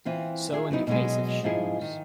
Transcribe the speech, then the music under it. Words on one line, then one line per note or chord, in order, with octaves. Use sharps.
So in the case of shoes.
E3 C4 F4
F4 G4 G#4 E5
D3 F#3 B3 D#4 E4
B2 F#3 G#3
G#2 F3 D#4 E4 G#4
D#3